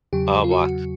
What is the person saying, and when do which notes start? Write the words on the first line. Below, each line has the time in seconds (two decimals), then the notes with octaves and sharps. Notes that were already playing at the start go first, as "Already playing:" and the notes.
Oh, what
0.13 E2 C#3 F#3 G4
0.44 F4
0.51 F#4